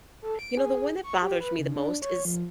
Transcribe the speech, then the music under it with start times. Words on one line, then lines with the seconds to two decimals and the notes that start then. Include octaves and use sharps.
You know, the one that bothers me the most is
0.22 A4
0.39 D7
0.57 G#4
1.04 C#6
1.22 G4
1.40 B4
1.59 C#3
1.76 D4
2.02 C#5
2.25 F3